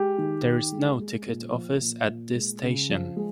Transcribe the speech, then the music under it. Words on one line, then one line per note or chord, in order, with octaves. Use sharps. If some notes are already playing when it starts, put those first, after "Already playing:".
There is no ticket office at this station.
Already playing: G#3 G4
D#3
D#3
G#3
G#3
A#2
F3
A#2
A#2
G#3
C#3
F3
G#3